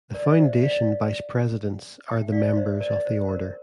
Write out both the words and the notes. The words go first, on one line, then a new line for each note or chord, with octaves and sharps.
The foundation vice presidents are the members of the order.
A#4 D5
C5 E5
D5 F5
E5 G5
D5 F5
C5 E5
A#4 D5
C5
A#4